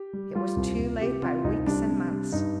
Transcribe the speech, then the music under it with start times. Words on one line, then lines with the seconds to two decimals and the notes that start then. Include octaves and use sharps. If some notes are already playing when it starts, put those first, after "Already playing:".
It was too late by weeks and months.
Already playing: G4
0.13 G3
0.35 G3 F4
0.56 C2
0.79 C2
1.00 C3 G4
1.22 C3 F4
1.44 C2 D#4
1.67 G3 D4
1.89 C3
2.11 G3
2.32 G2 D#4